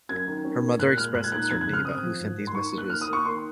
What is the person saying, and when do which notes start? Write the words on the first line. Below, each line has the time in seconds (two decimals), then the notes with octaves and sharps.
Her mother expressed uncertainty about who sent these messages.
0.09 F#2 G#6
0.27 D#3
0.44 C#4
0.62 A#3
0.79 A#2 F#6
0.98 G#3 F6
1.14 A#2 F#6
1.24 G#6
1.32 D#4 F#6
1.50 F2 G#6
1.61 F#6
1.67 C#3
1.73 F6
1.85 C4 D#6
2.02 F3
2.20 G#2
2.37 D#3
2.47 C6
2.55 D#4 C#6
2.73 A#3 F#6
2.90 D#3 F6
3.01 D#6
3.08 A#3 C#6
3.26 D#3 C6